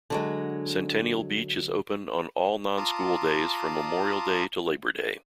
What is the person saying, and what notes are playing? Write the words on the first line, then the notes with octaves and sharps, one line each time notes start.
Centennial beach is Open on all non-school days from Memorial Day to Labor Day.
D3 F#3 G#3
F4 A5 A#5 C6 D6 D#6